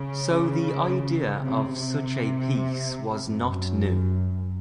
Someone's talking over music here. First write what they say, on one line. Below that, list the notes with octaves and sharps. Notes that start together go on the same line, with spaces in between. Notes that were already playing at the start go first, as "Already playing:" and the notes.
So the idea of such a piece was not new.
Already playing: C#3
C3
C3
F#2